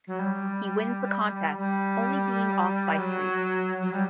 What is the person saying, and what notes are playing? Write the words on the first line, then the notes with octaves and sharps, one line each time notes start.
He wins the contest, only being off by three.
F#3
G3
G3
F#3
F#3
G3